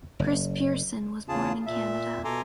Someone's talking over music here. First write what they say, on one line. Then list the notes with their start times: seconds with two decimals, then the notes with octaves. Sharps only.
Chris Pierson was born in Canada.
0.19 F#1
1.29 E2 C#3 F4 G#4 A5
1.66 A#2 E5
2.24 B2 A4 G#5 A#5 C6 D6